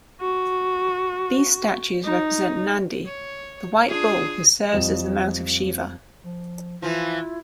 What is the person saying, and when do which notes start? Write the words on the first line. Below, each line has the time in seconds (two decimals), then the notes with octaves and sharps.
These statues represent Nandi, the white bull who serves as the mount of Shiva.
0.21 F#4
2.05 D#4
3.05 C#5
3.88 D4 F4 G#4
4.72 F2 G3 D#5 E7
6.24 F3
6.82 E3 F3 E4 F4